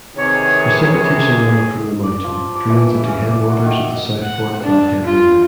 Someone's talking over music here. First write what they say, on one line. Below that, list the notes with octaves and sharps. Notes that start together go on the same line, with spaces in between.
Precipitation runoff from the mountain drains into headwaters of the South Fork Flathead River.
C3 D#3 D#4 G#4 B4 C#5
D5
F3
D6
E3
E4
C#4
D5
F#4
D#3
E5
F#5
D4
F4